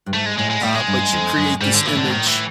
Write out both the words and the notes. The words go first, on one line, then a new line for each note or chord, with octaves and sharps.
uh, but you create this image
G2
G#2 A3
G#3
A2 G#3
G#3
A2 G3
G#3
G2
F2
F#2
G#2 G3
D3
A#2 E3
A2 D3
G#2
A2 D#3
E3